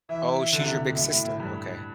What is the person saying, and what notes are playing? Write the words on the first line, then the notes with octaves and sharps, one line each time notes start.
Oh, she's your big sister, okay.
E3 E5
D3
C3
D3
B2
A2 E5
A2
A2
G2